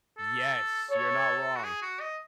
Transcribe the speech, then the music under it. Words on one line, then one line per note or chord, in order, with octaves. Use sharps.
Yes. You're not wrong.
A4
A4 C#5
F#4
G#4
F#4
D#5